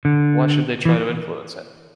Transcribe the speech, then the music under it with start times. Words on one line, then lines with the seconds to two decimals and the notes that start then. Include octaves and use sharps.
Why should they try to influence him?
0.05 D3
0.85 E3